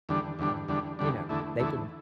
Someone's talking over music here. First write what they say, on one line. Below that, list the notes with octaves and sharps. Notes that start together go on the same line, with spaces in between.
Um, you know, they can
E2 D3 G3 D4
E2 D3 G3 D4
E2 D3 G3 D4
E2 D3 G3 D4
E2 D3 A3 E4
E2 D3 A3 E4